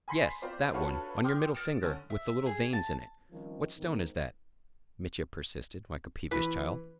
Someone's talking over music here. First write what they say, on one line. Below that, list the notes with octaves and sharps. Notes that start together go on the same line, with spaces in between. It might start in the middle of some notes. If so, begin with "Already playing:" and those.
"Yes, that one ... on your middle finger, with the little veins in it, what stone is that?" Mitya persisted, like a peevish child.
G#5 B5 C6 B6 C7
C4 F4 C5 D5
D4 F4 F#4 A4 B4 C#5
G5 C6 D6 D#6 F6
F6 A6 D7 E7
D3 C#4
E5
G#4
A5
D#3 F3 G3 C4 C#4
G#2 D#3 B3
E3 B4